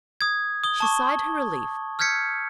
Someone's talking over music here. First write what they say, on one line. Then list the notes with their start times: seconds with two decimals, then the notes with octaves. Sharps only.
She sighed her relief.
0.21 D#6 G#6
0.64 D#6 G7
0.80 A5 C#6 D6
1.99 E6 F6 G6 G#6 B6 C#7